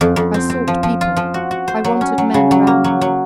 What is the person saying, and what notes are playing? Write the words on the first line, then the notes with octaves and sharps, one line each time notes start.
I sought people--I wanted men around me!
F2
F2
C4
C4
F3
F3
F4
F3
F#4
F#4
C5
F#3
C#4
F#3
C#3
F#3
A#3
F#3
F#3